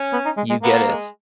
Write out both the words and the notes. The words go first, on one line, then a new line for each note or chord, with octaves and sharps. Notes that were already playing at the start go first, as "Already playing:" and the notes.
You get it.
Already playing: C#4
B3
D#4
G#3
G#3
A#3 B3
G#3